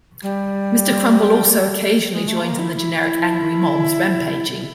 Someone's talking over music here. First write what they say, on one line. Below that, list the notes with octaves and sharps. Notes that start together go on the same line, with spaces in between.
Mr Crumble also occasionally joins in the generic angry mob's rampaging.
G3
G#3
A3
A#3
E4
E4